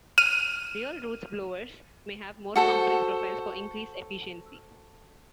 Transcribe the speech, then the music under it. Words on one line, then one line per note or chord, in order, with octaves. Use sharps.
Real Roots blowers may have more complex profiles for increased efficiency.
F6 D#7
F#4 A4 C5